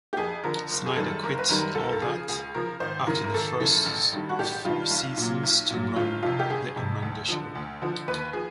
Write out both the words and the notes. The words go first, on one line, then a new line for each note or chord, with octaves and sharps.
Schneider quit "All That" after the first four seasons to run "The Amanda Show".
G4
F2 G#4
D3 F3 A#4
F#1
G#4
F#2 D#3 G3 A4
F#1 A#4
B4
F#2 D#3 G3 A#4
C#2 A4
A#4
A4
C#3 F3 G#4
C#2 G#4
C#3 F3 A#4
G#1 C5
F#2 C#3 E3 A#4
A#4
G#1 A4
F#2 C#3 E3 A4
A1
G2 D#3 G3
F#4
A1 G4
G2 D#3 G3 F4
B1
A#2 F#3
B1
A#2 F#3
G1 F4
F2 C3 F4
G4
G1 G#4
F2 C3
D2
D3 F3
D2
D3 F3
D#2 B4
F3 G#4